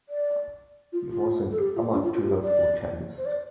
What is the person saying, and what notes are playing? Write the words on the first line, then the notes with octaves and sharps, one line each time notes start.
He was an amateur botanist.
D5
F4
F4
A4
G4
F4
D4
F4
F4
G4
D5
C5
D5